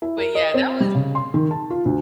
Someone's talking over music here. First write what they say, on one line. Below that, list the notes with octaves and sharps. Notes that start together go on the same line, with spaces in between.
but, yeah, that was
E4
A#4
D#5
C4
G3
C#3
C6
D#3
A5
F4
D2